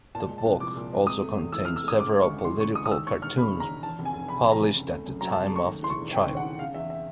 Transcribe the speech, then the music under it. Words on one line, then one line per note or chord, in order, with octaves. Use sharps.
The book also contains several political cartoons published at the time of the trial.
A#2 A5
G#3
A5
C2
F3 D6
A#2
G#3
C3 D#6
A3
E2
E3 E6
F6
C3
E6
A3 D#6
C#3 D6
G#3
C#6
D2
E3 C6
C#3 C#6
G#3 D#6
D#6
D#2 E6
E1 C#6
E1 F6
C#3 B5
D#2
A#5
E1
E2 A5
F1
G#5
F1
C3 B5
E2
A#5
F1
C#3
A3
F#2
F#3 A#5
A5
C#3
A5
A3 C#6
D#2
E3 C6
C#6
E1
C#3 G5
D#2
F#5
E3
C#3 F5
E2 E5
E5